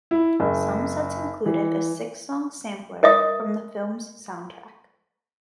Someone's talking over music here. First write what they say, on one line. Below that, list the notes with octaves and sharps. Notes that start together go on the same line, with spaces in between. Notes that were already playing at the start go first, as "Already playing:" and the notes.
Some sets included a six-song sampler from the film's soundtrack.
E4
F#1
E3
A#4 D#5 E5 D#6